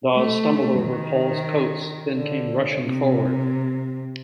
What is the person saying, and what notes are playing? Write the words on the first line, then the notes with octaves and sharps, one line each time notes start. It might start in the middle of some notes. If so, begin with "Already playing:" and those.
Dawes stumbled over Paul’s coats, then came rushing forward.
A3
D#3
D3
C3